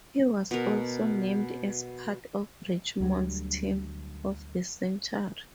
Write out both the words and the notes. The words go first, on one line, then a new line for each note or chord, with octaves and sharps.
He was also named as part of Richmond's team of the century.
B2 A#4
D2 D3 F#3 G3